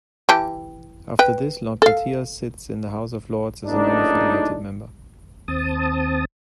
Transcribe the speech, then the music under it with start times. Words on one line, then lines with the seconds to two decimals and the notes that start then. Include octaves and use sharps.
After this, Lord Batia sits in the House of Lords as a non-affiliated member.
0.29 E3 G4 A5
1.19 B4 G5
1.82 A4 F5
3.67 F#1 A2 D4 D#4
5.48 D#2 C4 A5 D#6